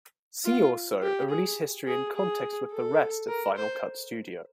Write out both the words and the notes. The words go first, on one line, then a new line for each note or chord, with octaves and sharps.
See also a release history in context with the rest of Final Cut Studio.
F4
G4
G#4
G#4
G#4
A4
A#4
C5